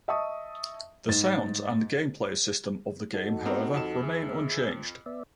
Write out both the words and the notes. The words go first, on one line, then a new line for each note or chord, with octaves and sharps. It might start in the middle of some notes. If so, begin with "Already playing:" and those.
The sounds and gameplay system of the game however, remain unchanged.
D#5 E5 A5 C#6 D#6
G#2 A6
D#4 F#4 A4
B3 C4 A#4
F2 E7
G#4 E5
B3 D5 E5